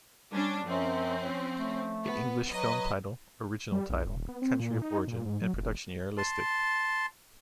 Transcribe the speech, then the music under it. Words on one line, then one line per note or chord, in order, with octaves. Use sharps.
The English film title, original title, country of origin and production year are listed.
G3 C#4 D4
F#2 F3 C4 C#4
A3
B3
F#3 B4 D#5
G3
B1
D#1
B3
C4
A#2
D#4
A#2
G#2
F#3
F1
A5 C6